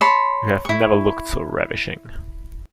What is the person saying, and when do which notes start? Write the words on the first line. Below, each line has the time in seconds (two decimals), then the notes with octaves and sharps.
You have never looked so ravishing.
0.01 C#5 A5 B5 C6
0.65 E4 C#6